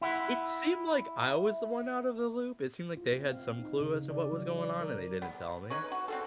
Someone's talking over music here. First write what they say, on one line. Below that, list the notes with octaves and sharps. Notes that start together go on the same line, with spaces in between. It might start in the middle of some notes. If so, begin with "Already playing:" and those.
It seemed like I was the one outta the loop. It seemed like they had some clue as to what was going on, and they didn't tell me.
E4 F#5
F4
C4
F5
D#4
C#3
D5
F#3
D5
A#4
B3
D#4 B4 C#5
F#4
C4 F#4 A4